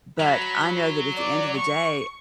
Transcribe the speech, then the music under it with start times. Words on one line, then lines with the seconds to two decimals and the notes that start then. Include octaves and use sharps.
but I know that at the end of the day,
0.20 F#3 B5
1.16 D5
1.58 C#6